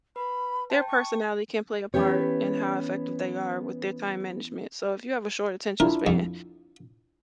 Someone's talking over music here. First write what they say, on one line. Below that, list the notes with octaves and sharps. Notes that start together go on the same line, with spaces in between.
Their personality can play a part in how effective they are with their time management. So if you have a short attention span,
B4 B5
C5 G5 A5
C#6
E3 B3 C#4 G4 C#5
D4 E4 F4 A#4
F2